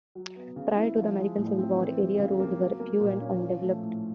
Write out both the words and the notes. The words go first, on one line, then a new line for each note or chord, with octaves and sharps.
Prior to the American Civil War, area roads were few and undeveloped.
F#3
B3
C#3
E4
F3
G#3
A2
C4
E3
G3
C#3
A#3
F#3
A#3
A#2
C#4
F3
A3
A2